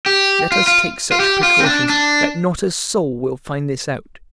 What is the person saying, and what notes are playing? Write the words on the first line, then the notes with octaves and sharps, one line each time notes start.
Let us take such precautions that not a soul will find this out.
G4
F4
F4
F4
G4
F4
C4
D4
D4